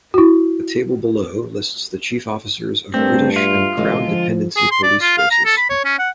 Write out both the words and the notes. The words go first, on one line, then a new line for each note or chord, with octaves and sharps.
The table below lists the chief officers of British and Crown dependency police forces.
E4 F#4
G2 A3 C4 D4 A#4
F4 F#4 E5
A1 D3 G#3 A4
F3
G#4
C6
D5
F4
F5
A#5
A4
B5
C#5
C#4
F#5